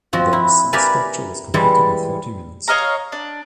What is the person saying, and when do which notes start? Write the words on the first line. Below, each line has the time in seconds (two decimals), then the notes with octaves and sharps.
The song structure was completed in thirty minutes.
0.13 F3 C4 F#4 D#5
0.33 E4
0.73 G4 A#4 B4 D5 E5 G#5
1.54 E3 G3 G#3 E4
2.68 C#5 D#5 F5 A#5
3.12 D4